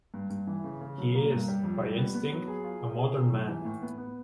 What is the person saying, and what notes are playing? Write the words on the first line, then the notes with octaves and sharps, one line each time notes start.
He is, by instinct, a modern man.
G2
G2
E3
C#3
C#3
F#3
A#3
G2
G3
F2
G3
B3
B3
F#3
G#4
F4
G#4
G#4
D#3
F#2
E3
A2
B3
B3